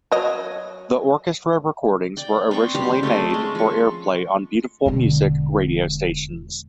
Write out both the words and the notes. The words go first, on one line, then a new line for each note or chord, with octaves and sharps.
The Orchestra recordings were originally made for airplay on "beautiful music" radio stations.
F#3 D#5
D5 G5
B3 C4 G5 C#6
G3 G4 C5 F5
A3 C4 C#4 G#4
G#3 A5
F3 C#6
E1 D3